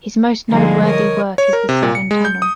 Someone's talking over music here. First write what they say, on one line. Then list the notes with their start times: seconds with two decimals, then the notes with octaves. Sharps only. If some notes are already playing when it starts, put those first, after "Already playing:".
His most noteworthy work is the Severn Tunnel.
0.50 D3 F3 G3 G#3 A#3 D#4
0.84 A#4 C#5 D#5
1.38 C#5
1.53 A#4
1.69 C3
1.83 A#2
1.95 C#7
2.11 G#3
2.25 G6
2.42 D#6